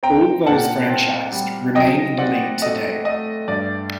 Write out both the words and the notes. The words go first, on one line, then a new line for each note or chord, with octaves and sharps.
All those franchised remain in the league today.
C4 G5 A#5
A#2 F#5 A5
C4
G3
F#3 D#5 G5
C4 D5 F#5
A3 D#5
A3 D#5
G2 D5